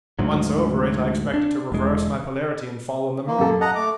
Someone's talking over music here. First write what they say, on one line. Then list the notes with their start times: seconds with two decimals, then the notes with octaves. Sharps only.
Once over it, I expected to reverse my polarity and fall on the moon.
0.19 D2 G#2 F#3
1.34 D4
1.72 E1 G#3
3.27 A#3
3.38 F#2 G4 A4
3.61 D#5 F#5 A5 A#5
3.75 A3 D6